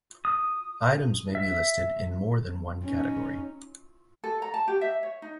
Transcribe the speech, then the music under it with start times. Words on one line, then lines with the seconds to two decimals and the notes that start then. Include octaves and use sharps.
Items may be listed in more than one category.
0.25 D#6
1.35 E5
2.84 C#4 D#4
4.24 A4
4.42 A#5
4.54 A5
4.68 G4
4.81 E5
5.03 C#5
5.22 D#4